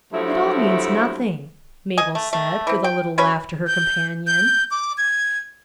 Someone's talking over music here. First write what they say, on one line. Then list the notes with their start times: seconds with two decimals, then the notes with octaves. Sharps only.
"It all means nothing," Mabel said with a little laugh to her companion.
0.12 G2 F3 F#3 A3 E4
1.98 D#5 G#5
2.15 A3
2.33 A3
2.67 E3 C4
2.84 G5
3.18 F#3 C#4 B4 C#5
3.67 G6
4.27 G6
4.71 D6
4.98 G#6